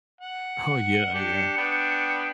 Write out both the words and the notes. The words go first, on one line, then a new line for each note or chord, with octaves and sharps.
Oh yeah, yeah.
F#5
C#7
D4 G4
B3 D4 G5